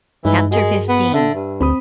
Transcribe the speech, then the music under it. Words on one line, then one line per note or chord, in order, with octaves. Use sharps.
Chapter XV.
G2 E3 G#3 D#4
G#3 F#4 G#4 A#4
B3
D3 E5
G2
D2 C4 B5 D#6